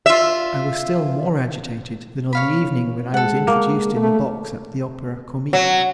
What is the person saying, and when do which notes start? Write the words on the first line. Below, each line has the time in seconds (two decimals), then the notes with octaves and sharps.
I was still more agitated than on the evening when I was introduced in the box at the Opera Comique.
0.06 F4 E5
2.33 C#5 F5 B5
3.14 G#3 A4 F#5
3.47 A#3
3.96 A3
5.53 F#3